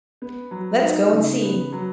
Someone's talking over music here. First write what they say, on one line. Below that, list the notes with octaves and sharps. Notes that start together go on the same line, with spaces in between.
Let's go and see.
B3
F#3
D#4
C#3
B3
F#3